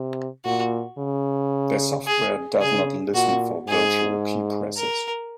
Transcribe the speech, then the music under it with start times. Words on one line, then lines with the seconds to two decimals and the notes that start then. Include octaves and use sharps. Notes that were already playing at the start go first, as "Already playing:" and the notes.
Their software does not listen for virtual keypresses.
Already playing: C3
0.45 A#2 F#4
0.98 C#3
2.07 G#4
2.60 C#3 G#4
3.14 A#2 F#4
3.68 G#2 G#4
4.77 A#4